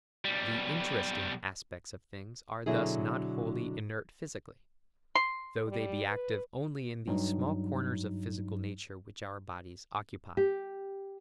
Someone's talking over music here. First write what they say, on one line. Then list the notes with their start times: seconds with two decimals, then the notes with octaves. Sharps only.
The 'interesting' aspects of things are thus not wholly inert physically, though they be active only in these small corners of physical nature which our bodies occupy.
0.25 B1 G3
2.66 B2 D3 F#3 E4 G#4
5.15 C6
5.67 G3
6.07 B4
7.07 G2 F#3 D#4
10.37 G4